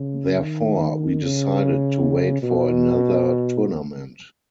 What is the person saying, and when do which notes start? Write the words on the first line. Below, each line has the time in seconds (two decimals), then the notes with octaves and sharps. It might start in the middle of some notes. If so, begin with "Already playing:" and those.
Therefore, we decided to wait for another tournament.
Already playing: C#3
0.43 D#3
1.23 C#3
2.42 B2